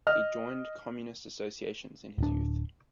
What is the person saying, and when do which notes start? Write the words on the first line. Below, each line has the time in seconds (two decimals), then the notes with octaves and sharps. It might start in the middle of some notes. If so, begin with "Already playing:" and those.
He joined communist associations in his youth.
0.07 D#5 F6
2.18 D1 D4